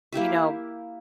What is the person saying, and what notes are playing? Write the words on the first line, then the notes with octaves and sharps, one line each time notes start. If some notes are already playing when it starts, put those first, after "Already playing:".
you know,
A#3 E4 G4 E5